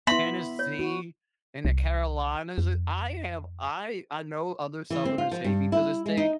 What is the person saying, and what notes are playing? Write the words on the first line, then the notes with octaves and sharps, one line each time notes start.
Tennessee and the Carolinas. I have I I know other Southerners hate me for this take,
B3 E4 E5 B5 C6
C#5
F#4
C2
F2
E3
C4
F4
F3
G2
E4
G#3
D#4